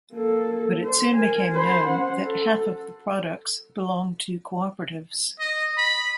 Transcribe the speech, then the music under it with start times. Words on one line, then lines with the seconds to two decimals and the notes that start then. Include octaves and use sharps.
But it soon became known that half of the products belong to cooperatives.
0.12 A#3 A4
0.85 C5
1.16 A#4 G#5
1.52 C5 B5
1.86 C#4 F#5
2.22 A4
5.40 D#5
5.78 B5